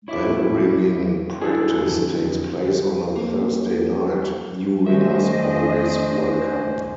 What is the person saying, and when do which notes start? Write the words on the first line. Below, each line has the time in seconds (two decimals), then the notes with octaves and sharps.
Bell ringing practise takes place on a Thursday night - new ringers always welcome.
0.08 E4 C#5 E5 D6
1.41 D3 F#3 E4 G#4 A4
1.86 F2
3.16 A#3
4.86 D#3 A3 C#4 D4 C5 D#5 E5